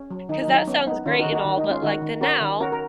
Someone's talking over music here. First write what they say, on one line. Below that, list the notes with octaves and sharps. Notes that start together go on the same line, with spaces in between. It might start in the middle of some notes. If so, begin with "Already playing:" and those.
'Cause that sounds great and all, but like the now,
Already playing: C#4
F#3
D#3 D#4
D#4
F#3
D#4
B3 C#4
B3 D#4
D#3 C#4 F4
D#4 F#4
D#3
D#4 F#4
D#3
D#4
G#3
C#4 F4
D#3 D#4 F#4
D#3
C#4 F#4 A#4
D#3
C#4 F#4 A#4
A#4